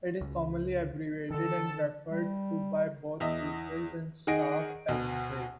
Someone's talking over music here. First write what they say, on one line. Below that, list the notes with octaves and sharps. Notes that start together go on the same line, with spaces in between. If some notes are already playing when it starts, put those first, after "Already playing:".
It is commonly abbreviated and referred to by both pupils and staff as 'Rye'.
C#2
D3 D#3 A4
G3
E2 D#5 E5
D#3 G#4 D#5 F#5 A#6 D7
D2 B2